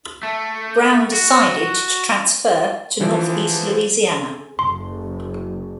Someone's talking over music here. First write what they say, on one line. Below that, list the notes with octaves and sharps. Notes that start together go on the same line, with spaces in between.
Brown decided to transfer to Northeast Louisiana.
A3
F#4
D3 E3 F3 E4
F#1 C6